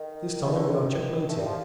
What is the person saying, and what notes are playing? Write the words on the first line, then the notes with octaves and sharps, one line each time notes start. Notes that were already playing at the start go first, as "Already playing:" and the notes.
"This time we are checkmated."
Already playing: D#3
C3
D3
D#3
A3
G3
F3